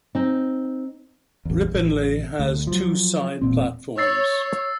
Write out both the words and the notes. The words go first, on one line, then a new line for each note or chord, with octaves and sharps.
Ripponlea has two side platforms.
C4 D#4
A1 E2
A1
D2
F3 F#3
E1 A#2 C4
C#5 E6 A6 C7